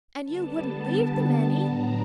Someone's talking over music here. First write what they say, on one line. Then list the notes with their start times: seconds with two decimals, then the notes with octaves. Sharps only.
And you wouldn't leave them any?
0.23 D3 G3 B3 A5
1.63 A2 F#3 B3 D4 A#5